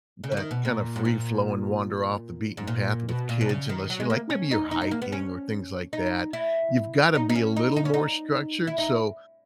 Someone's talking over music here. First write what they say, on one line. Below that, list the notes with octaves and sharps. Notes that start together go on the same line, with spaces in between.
that kind of free flowing wander off the beaten path with kids unless you're, like, maybe you're hiking or things like that. You've gotta be a little more structured, so,
C#3
E3
D#3
B2
A#2
G#2
A#2
G#2
A#2
B2
A#2
B2
C#3
D#3
F#3
G#3
A#3
C#4
D#4
D#4
D#4
A#3
B3
C#4
D#4
E4
D#4
D#4
C#4
D#4
D#4
C#4
D#4
E4
D#4